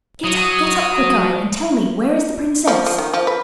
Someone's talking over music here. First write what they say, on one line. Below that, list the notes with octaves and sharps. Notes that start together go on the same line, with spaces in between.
'Get up, get up, Quickeye, and tell me where is the princess?'
F#3 D#6
F3
F3
D#3
F3
B4